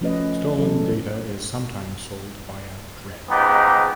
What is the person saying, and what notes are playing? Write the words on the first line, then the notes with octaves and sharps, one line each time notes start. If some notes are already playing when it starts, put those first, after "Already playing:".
Stolen data is sometimes sold via Dread.
F3 A3 C#4 F#4 B4 D#5
E3 F#3 C#4 A4
C#2 G#2 B3 D#4 G4